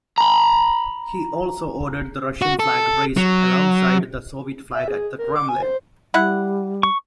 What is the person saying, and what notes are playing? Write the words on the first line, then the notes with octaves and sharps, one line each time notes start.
He also ordered the Russian flag raised alongside the Soviet flag at the Kremlin.
A#5 B5
F#4
A4
F#3
E5
G#4
A#4
D6
G#5
C5
G3 E4 F#5
C#6